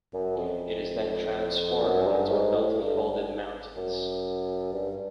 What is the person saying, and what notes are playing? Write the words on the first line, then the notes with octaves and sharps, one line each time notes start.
It is then transformed into a belt of folded mountains.
F#2
F2
F#2
G2
G#2
A2
G2
F#2
G2